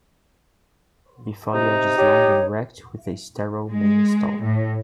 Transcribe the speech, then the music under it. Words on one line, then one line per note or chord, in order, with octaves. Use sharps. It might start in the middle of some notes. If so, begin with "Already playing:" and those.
The foliage is long and erect with a sterile main stalk.
C3 D#4
G4 C#5
G#3
A2